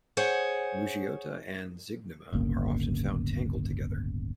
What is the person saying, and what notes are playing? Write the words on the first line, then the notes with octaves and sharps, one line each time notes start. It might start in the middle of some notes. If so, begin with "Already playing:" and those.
"Mougeotia" and "Zygnema" are often found tangled together.
G#4 C5 C#5 F#5 G#5
D1 G1 C#3 A#3